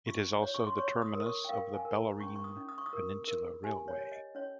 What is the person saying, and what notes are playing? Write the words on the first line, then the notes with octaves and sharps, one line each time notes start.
It is also the terminus of the Bellarine Peninsula Railway.
F4 C#6
C#5
C#6
C6
C#5 C#6
D#6
A#4
D#6
C#6
G5
A#4 F5
G#5
A#4
A#5
C#4 C#6
C#6
D#6
C#4
D#6
C#6
D#6
A#4
A#4
G4 G#5
C#5
C#5
D#5
C#4 C#5